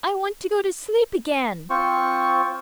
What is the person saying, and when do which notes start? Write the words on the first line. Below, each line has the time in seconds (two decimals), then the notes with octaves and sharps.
"I want to go to sleep again."
1.70 C4 F4 C5 C#6